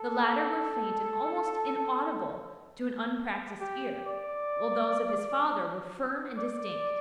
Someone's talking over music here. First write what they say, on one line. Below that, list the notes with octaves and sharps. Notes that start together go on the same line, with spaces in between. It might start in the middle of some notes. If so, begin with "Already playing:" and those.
The latter were faint, and almost inaudible to an unpractised ear, while those of his father were firm and distinct.
Already playing: A4
G4
D5
D5